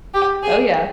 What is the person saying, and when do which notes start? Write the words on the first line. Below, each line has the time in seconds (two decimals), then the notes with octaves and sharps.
Oh, yeah.
0.14 G4
0.43 G#4